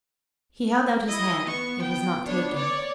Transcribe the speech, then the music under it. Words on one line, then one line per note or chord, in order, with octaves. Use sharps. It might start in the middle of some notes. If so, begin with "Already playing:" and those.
He held out his hand; it was not taken.
E4 D#5
B3 C#6
G5
B3 D4 C#5
C#5 D5